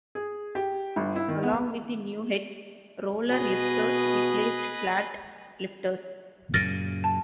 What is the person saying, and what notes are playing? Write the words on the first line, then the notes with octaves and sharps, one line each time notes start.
Along with the new heads, roller lifters replaced flat lifters.
G#4
G4
G1
E4
D#3
B3
B2 G#4 B4 D#5
F#2 A#2 C#3 F6 A6 A#6
A5